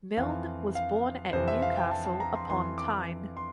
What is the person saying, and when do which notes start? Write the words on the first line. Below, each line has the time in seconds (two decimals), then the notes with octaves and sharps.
Milne was born at Newcastle upon Tyne.
0.17 F2 E3 F5
0.75 F5
1.33 F2 C3 E3 C5
1.48 E5
1.62 F5
1.77 G5
1.91 A5
2.05 A5
2.20 A#5
2.35 C6
2.49 F2 E3 C6
2.78 D6
3.37 C6